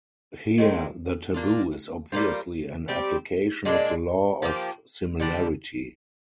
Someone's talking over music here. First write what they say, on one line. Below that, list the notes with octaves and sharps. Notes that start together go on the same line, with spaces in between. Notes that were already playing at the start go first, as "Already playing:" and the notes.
Here the taboo is obviously an application of the law of similarity.
D#3 G#3 C4
A#3 D4 F4
G3 A#3 F4 C5
G3 C4 G4
A#2 G#3 D4
F3 A#3 D#4 G4
D3 G3 D4